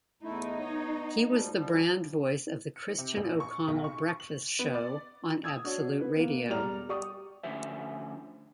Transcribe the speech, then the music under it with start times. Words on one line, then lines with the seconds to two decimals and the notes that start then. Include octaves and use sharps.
He was the brand voice of The Christian O'Connell Breakfast Show on Absolute Radio.
0.23 E2 A3 D#4 E4
0.60 B3 C#5
1.23 D2 F3 G3
1.55 F3 G3
2.76 C#7
2.98 C3
3.17 A#1
3.40 C#6
3.68 B1
3.84 C#6
4.20 F#7
4.59 B3
4.75 D5
5.44 D#6 E6 G#6
5.64 D4 F#4 C#5
6.00 B4
6.16 A#3 B3
6.49 E1 G3 D5 A#5 F6 F7
6.89 G4 D5 C#6 D#6
7.44 D2 D3 F3 C#4 C5 E5